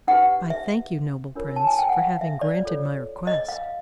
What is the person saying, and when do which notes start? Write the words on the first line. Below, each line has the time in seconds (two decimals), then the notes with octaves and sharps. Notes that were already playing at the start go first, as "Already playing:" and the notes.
'I thank you, noble Prince, for having granted my request.
0.07 D#4 G4 B4 F#5
0.50 E5
1.35 D4 F4 A#4 C#5
1.56 A5
1.67 G#5
1.79 G5
1.89 F#5
1.99 F5
2.21 E5
2.41 D5
2.63 F4 A4 C#5
3.27 D#5
3.49 F5